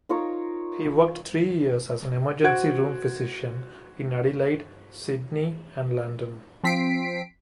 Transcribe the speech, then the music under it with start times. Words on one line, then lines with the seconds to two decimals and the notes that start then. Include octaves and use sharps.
He worked three years as an emergency-room physician in Adelaide, Sydney and London.
0.09 D#4 F4 A#4 C#5
2.44 F#4 C5 F#5 G#6 D7
6.64 F3 C4 B6 C7 D7